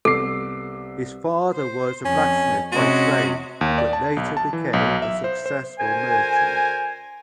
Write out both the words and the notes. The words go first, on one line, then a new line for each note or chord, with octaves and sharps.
His father was a blacksmith by trade, but later became a successful merchant.
C2 B3 A4 D6 E6 C7
C5
F2 C#4
C3 G#3 C#4 F#4
D#2
D5
A5
B1
A5
E3
B1
E5
C5
C5
D2 A#4 C5 G#5